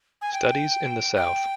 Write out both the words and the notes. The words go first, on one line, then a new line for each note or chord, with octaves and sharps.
Studies in the South.
G#5
G5
G5